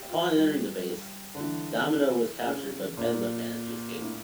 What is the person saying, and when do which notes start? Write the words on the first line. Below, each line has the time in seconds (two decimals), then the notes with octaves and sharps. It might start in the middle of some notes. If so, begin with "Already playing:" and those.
Upon entering the base, Domino was captured but Bedlam managed to escape.
Already playing: G4
0.09 F4
0.36 G3
1.35 D3
1.40 E3
2.45 C#3
2.97 A#2
4.02 A2